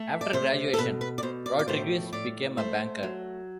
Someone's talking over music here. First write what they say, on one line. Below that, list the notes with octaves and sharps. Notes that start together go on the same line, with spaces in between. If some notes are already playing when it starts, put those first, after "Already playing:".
After graduation, Rodrigues became a banker.
Already playing: A3
D5
C3 C5
A4
B2 B4
B4
D5
B2 C5
D5
D5
A2 C5
A2 D5
A3 C5
F#3